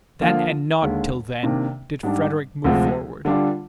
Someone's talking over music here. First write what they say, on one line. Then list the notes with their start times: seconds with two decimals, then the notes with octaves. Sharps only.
Then and not till then did Frederick move forward.
0.21 D3 F3 A#3 F4
0.82 D#2 D3 G#3
1.43 C3 D#3 A#3 D4
2.03 G#2 G3 D4
2.64 D2 C3 F3 G#3
3.25 D3 G3 D4 F4